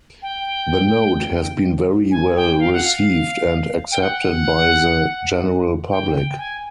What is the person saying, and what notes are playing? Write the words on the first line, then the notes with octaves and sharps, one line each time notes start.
The note has been very well received and accepted by the general public.
G5
G#5
G5
F5
F#5
F5
G5
F#5
G5
G5
G#5